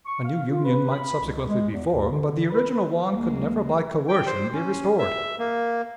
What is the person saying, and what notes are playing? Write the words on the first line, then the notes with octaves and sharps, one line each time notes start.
A new union might subsequently be formed, but the original one could never by coercion be restored.
C#6
F5
F4
B4
B5
C#2
G#3
E2
D#2
D3
B4
B4
D2 F#3 G#3 A#3
G5
C5
C#4
E5
A#3